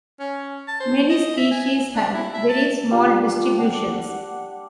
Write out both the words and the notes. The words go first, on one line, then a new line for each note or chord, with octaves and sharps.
Many species have very small distributions.
C#4
A5
C5
D#5
E5
G#5
D4
E4
E5
A5
G3 D4 F4
F4
D4 F#5